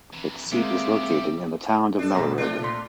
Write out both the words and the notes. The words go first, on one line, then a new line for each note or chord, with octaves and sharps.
Its seat is located in the town of Mellerud.
C3 E3
C3 G3 G#3 A#3 G4 E5 D6
D4 A4
G2 B2 A#5
C3 A3 D4 F4
A#2 C6